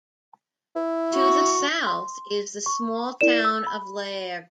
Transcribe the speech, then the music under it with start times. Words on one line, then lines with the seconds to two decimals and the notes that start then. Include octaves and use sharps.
To the south is the small town of Lairg.
0.76 E4
1.13 F#4 C#6
1.87 C6
2.66 C#6
3.21 E4 A#4 D5 E7
3.45 E6
3.67 B5